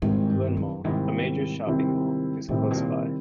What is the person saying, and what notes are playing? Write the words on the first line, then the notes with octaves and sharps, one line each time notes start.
LynnMall, a major shopping mall, is close by.
G#2 C3 D#3 G3 C4 E4
G2
F#2
G#2 C3 D#3 G3 C4 E4
C3 D#3 G3 C4 E4
A2 C3 D#3 G3 C4 E4
B2
A#2